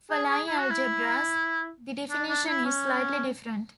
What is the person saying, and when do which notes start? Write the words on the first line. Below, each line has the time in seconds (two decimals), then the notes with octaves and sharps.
For Lie algebras the definition is slightly different.
0.11 G#4
0.29 G#4
0.47 E4
0.59 F#4
0.70 E4
2.10 D4
2.29 D4
2.47 E4
2.65 C#4